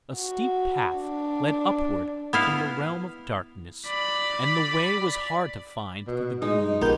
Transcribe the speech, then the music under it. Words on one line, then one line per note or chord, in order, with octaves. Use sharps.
A steep path led upward from the realm of darkness, and the way was hard to find through the gloom.
F#4
D4
B3 E4 F5
D5 B5
B2
G#3 D#4
A#1 B3 G4 A#4 G6